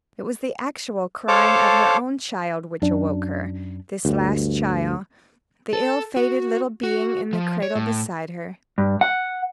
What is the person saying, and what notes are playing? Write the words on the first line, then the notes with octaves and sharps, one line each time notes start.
It was the actual crying of her own child which awoke her--this last child--the ill-fated little being in the cradle beside her.
A4 C5 C#5 F5 A5 D6
F#2 D4
D2 G2
A4
F#4
F#4
F3
C#5
A2
G2
F#5